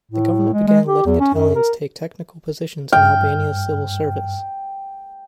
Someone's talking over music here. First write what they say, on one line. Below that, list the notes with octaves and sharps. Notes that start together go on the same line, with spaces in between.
The government began letting Italians take technical positions in Albania's civil service.
A2
G#3
G#3
G4
E2
C#4
F#2
A#4
G2 G5 F6